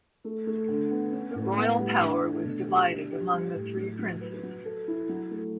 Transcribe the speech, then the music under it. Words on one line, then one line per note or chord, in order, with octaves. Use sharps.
The royal power was divided among the three princes.
A3
A3
D3
B3
C#4
A2
B3
G3
D4
A3
B2
G4
D4
G4
G3
A2
F#3
F#3
B4
F#3
A4
E4
F#3
A3